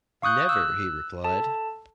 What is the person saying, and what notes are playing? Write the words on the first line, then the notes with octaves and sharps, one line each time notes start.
'Never,' he replied.
F5 C#6 D#6 F#6 G6
E6 F#6
A4 A5